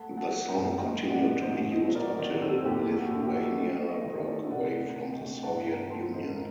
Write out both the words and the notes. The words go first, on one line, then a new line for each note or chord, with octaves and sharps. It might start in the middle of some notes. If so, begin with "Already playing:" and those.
The song continued to be used until Lithuania broke away from the Soviet Union.
Already playing: A3 F#5 A5
F#3
F#5 A5
F#3
G5 A#5
F#2
A#3 D#5 G5
A2
D5 F#5
A2
C5 D#5
A1
F#3 C5 D#5
F#3 A#4 D5
D#3 A#4 D5
C4 A4 C5
C5
D#2 G4 A#4
A3
F#4 A4
D#2
G4
F#4 A4
D#4
A3
A3
C5 D#5
D#3
A#4 D5
A3
C3 D5 F#5
D2
C3
D#5 G5
D2
G2 F#5 A5
A3 G5 A#5
A3 A5 C6
A1 C5 D#5
A#4